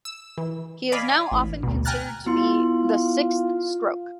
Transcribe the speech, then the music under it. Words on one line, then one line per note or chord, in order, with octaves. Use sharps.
He is now often considered to be "the sixth Stroke".
E6
E3
D5 D#5 F5 G#5 B5 D6
A1
D2 B2
G5 G#5 A#5 F6 F#6 A6
B3 E4 F4 C6